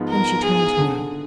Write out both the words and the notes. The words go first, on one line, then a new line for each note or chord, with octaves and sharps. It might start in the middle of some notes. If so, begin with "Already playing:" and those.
Then she turned to me.
Already playing: G#2 F3 G#3 B3 F4
A#4
G#4
D3